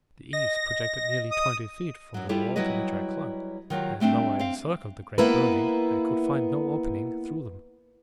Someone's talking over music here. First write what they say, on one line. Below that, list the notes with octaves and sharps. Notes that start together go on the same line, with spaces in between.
The eaves projected nearly twenty feet from the wall to which I clung, and though I encircled the great building I could find no opening through them.
D#5 A#6
D#6
F#2 F#3
G3 E4 F4 G4 A4
F#3 G3 E4 F#4 B4 D#5
D#3 F#3 F4 G4
G3 A3 C4 D4 G4
C4 F5
A#3 B3 E4 B4